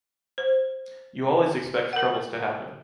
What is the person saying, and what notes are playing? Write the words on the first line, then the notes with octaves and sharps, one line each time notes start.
You always expect troubles to happen.
C5
A#4 F#5